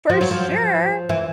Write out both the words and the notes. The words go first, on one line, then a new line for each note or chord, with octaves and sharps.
For sure!
F3
F#3
F3
E3